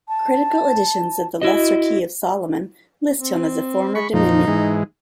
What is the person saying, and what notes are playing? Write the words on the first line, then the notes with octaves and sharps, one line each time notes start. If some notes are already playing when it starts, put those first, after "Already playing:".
Critical editions of the "Lesser Key of Solomon" list him as a former Dominion.
A5
E4 F#4 D#5
C4
G#3 B5 C#6
F2 A#2 F3 D#4
G#2 E3 G#3